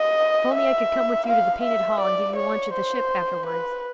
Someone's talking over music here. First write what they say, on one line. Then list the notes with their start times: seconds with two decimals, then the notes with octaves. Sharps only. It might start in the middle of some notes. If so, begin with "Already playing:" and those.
If only I could come with you to the Painted Hall and give you lunch at the "Ship" afterwards!
Already playing: D#5
0.54 E5
1.27 F5
1.63 E5
2.00 D5
2.36 C#5
2.73 C5
3.46 B4